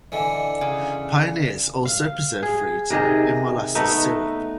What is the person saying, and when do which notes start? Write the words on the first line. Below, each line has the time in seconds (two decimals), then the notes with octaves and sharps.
Pioneers also preserved fruit in molasses syrup.
0.12 D3 E3 D5 D#5 G#5
0.61 C#3
1.85 F5
2.43 G#4
2.90 C3 D#3 G#4 D#5
3.75 A3 B3 D#4 E5